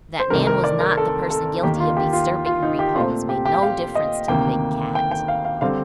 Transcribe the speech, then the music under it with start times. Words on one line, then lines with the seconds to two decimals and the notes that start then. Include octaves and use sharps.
That Nan was not the person guilty of disturbing her repose made no difference to the big cat.
0.19 C5
0.30 C2 C3 D#3 A3 C4 A#4
0.47 A#4
0.64 D5
0.80 A#4
0.97 A4
1.30 A4
1.63 D#2 D#3 A#3 G4
1.80 F4
1.97 G4
2.13 F4
2.46 F4
2.63 D#4
2.79 G4
2.96 A#2 A3 C4 F4
3.29 G4
3.45 G4
3.54 G5
3.62 F5
3.95 D#5
4.28 D2 C3 D#3 A#3 G5
4.95 G5
5.11 G5
5.28 F5
5.45 F5
5.61 D3 G3 C4 F5